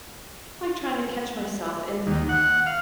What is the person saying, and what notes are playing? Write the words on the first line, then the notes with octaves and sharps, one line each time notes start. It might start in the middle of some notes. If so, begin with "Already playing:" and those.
like, trying to catch myself and
D#2
F#5
F5